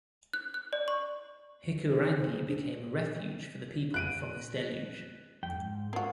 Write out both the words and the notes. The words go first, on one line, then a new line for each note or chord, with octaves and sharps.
Hikurangi became a refuge for the people from this deluge.
F#6
F#6
D5
C#6
C5
D#4
C5
G#4
D4
F#6 D7 D#7
F2 G5
G#2
A#3 C4 F4 F#4